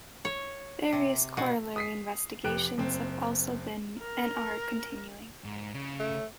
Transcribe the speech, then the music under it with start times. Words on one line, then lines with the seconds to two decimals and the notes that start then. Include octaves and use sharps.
Various corollary investigations have also been and are continuing.
0.25 C#5
0.93 C3
1.37 B2
1.76 D#6 B6 C7
2.44 F1 G4 G5 F#6 D7
2.78 F#1 C4
3.98 A#4
5.44 G#2
5.74 C#3
5.99 A3